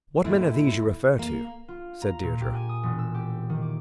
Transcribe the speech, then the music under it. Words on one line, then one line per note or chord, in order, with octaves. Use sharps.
"What men are these you refer to?" said Deirdre.
D#2 A2 E4
A#3
F4
A#5
A#2
G4
G#5
D#6
E1
E6
G4
D#3
D6